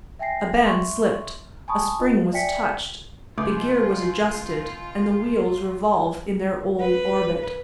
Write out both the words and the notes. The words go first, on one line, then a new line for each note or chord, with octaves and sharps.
A band slipped, a spring was touched, the gear was adjusted and the wheels revolve in their old orbit.
E5 G5 G#5 A#6 C7
E5 C6 C#6
G#5 A5 B5 C#6 D#6
F4 D#5
D5 E5 G5 G#5 B6 C#7
C#2 A3 F4 D6
B4